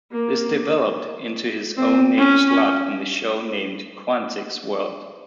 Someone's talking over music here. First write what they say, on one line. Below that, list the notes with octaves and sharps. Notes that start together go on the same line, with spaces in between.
This developed into his own named slot in the show, named "Quantick's World".
A#3
C4
C#4